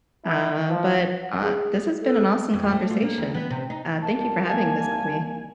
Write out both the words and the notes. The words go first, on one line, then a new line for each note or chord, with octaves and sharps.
Uh, but, ah This has been an awesome conversation, uh, thank you for having this with me.
E4
F3
F#5
G#4
A4
F2
A3
F4
A#3
D#2
B3
C3
D#4
C2 A#3 A5
G#5